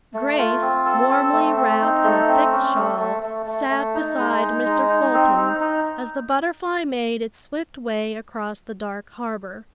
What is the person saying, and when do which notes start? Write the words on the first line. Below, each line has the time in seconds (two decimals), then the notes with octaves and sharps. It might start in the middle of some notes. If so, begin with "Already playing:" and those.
Grace, warmly wrapped in a thick shawl, sat beside Mr. Fulton as the Butterfly made its swift way across the dark harbor.
0.14 A3
0.38 F4
0.61 C4
0.86 A4
1.09 C4
1.33 A3
1.56 C4
1.81 D#4
2.04 A3
2.28 C4
2.52 C#4
2.76 A3
2.99 A3
3.23 A3
3.46 A3
3.70 A3
3.95 D#4
4.18 G#3
4.42 D#4
4.65 G#3
4.89 D#4
5.14 C4
5.37 D#4
5.60 D#4